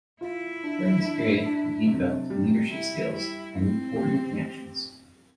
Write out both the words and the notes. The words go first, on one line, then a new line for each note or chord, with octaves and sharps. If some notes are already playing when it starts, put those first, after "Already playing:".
During this period he developed leadership skills and important connections.
E4 F4
D4
D4
D4
C3
G3
G3 E4
G3 E4
C4 E4
G4